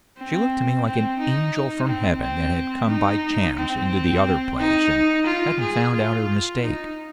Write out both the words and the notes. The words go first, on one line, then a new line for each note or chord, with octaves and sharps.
She looked to me like an angel from heaven that had come by chance into the other place and hadn't found out her mistake.
C4
C4
D#4
C4
C4
D#4
C4
D#4
F4
G#4
F4
D#4